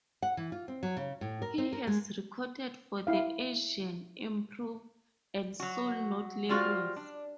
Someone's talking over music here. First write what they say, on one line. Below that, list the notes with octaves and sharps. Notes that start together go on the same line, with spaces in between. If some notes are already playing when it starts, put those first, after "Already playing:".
He has recorded for the Asian Improv and Soul Note labels.
F#5
E3
F4
C4
F#3
C#3
A2
A#4
C4
A#4
G#3
E4 F5
F#3 F#4
G3 F4 F#4 C5 F5
D4